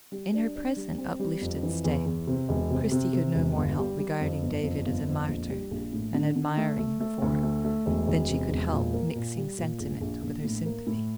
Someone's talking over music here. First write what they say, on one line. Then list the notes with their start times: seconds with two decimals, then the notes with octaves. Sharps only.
In her present uplifted state, Christie could no more help regarding David as a martyr and admiring him for it, than she could help mixing sentiment with her sympathy.
0.12 G3
0.34 D4
0.56 D4
0.76 G3
0.98 C4
1.19 G3
1.41 F2
1.63 E3
1.84 E2
2.06 E2
2.27 C3
2.49 E1
2.70 C3
2.91 C3
3.13 C3
3.35 E1
3.56 G1
3.78 G3
3.99 G3
4.20 F2
4.42 G1
4.63 F2
4.85 G1
5.07 F2
5.28 A#1
5.50 G3
5.71 A#1
5.93 A2
6.14 D3
6.36 D3
6.57 A3
6.79 A3
7.00 A3
7.22 D2
7.43 A3
7.64 A3
7.86 E1
8.07 E1
8.29 C3
8.50 E1
8.72 A#2
8.93 A#3
9.15 A#2
9.37 G3
9.58 A#2
9.80 A#1
10.01 A#1
10.23 A#1
10.44 A2
10.66 A#3
10.87 A2